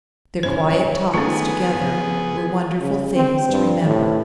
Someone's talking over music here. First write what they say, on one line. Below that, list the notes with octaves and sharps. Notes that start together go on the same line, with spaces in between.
Their quiet talks together were wonderful things to remember.
C#3 C#4 E4 C5
C#5
D3 D#3 A3 B3 C#4 F4 G#4
F3
C#3
C4
G2
A2